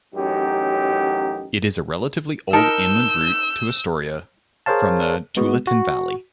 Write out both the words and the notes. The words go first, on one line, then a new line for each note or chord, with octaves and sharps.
It is a relatively old inland route to Astoria from the Tualatin Valley.
A1 F#2 F#3 D#4 G4
D#4 A#4 A5 E6 G6
G#4 A#4 C5 C#5 F5 A5
G#3 B3 F#4
F#4